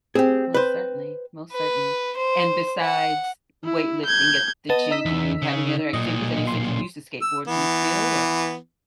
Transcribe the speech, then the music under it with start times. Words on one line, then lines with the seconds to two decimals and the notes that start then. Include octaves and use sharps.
Most certainly. Most certainly. And besides weightlifting at the gym, do you have any other activities? I know you said you used to skateboard. Do you still, or
0.15 C4 G4 G#4
0.54 B4 C5
1.53 B4
2.17 C5
2.81 F#5
3.64 E4
4.05 G6 G#6
4.70 B3 D#5 A5
4.91 D#4 E6 B6
5.05 E2
5.42 C#3
5.94 B1 A#2 D#5
6.47 C6
7.22 E6
7.48 E3 B3